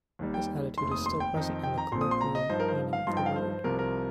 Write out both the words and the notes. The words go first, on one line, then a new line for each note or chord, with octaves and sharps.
This attitude is still present in the colloquial meaning of the word.
D#2 D#3 G3
G5
F1 D#2 D#3 C6
D#6
C6
G5
F2 D#3 C4 D#4
G5
A#5
A#1 A#2 F3 C4 C6
D#6
C6
A#5
D#5
G2 F3 D#4 C5
A#4
C5
F5
G2 F3 D#4 C6
G5
F5
C5
C5
C2 C3 F3 A#4
A#4